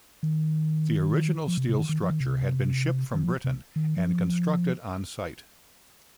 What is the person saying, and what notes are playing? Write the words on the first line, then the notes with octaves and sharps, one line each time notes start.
The original steel structure had been shipped from Britain and constructed on site.
D#3
F3
C3
C3
D#3
D#3
F3
D#3
C3
D#3
F3
C3
D#3
F3